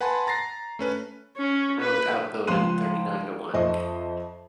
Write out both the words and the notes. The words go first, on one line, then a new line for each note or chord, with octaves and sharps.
I was outvoted thirty-nine to one.
B4 F#5 G#5 A5 B5 C6
A#5 A6 A#6 C7
A3 C#4 B4
C#4
B4
C#2 F3 C6 F#6 D#7
F2 C5 D#5 E5 C#6